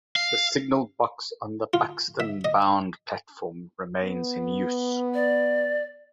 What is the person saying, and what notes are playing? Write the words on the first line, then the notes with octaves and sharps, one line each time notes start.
The signal box on the Buxton-bound platform remains in use.
F5
F4
E5
D#5
B3
D5